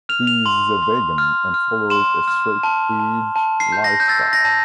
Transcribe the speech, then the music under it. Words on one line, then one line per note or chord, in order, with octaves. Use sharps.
He is a vegan and follows a straight edge lifestyle.
F6 F7
F7
C6
C6
F6
F6
C6 E7
F6
A5
A5
A5
C7
G6
A#6
G6
E6 A6
A#6
A5